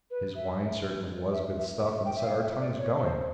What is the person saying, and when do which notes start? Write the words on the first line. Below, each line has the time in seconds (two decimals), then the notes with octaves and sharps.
His wine certainly was good stuff, and set our tongues going....
0.11 B4
0.35 E5
1.33 E5
1.57 E5
1.81 E5
2.06 G5
2.16 E5
2.24 F5
2.42 E5
2.60 D5
2.79 C#5
3.02 C5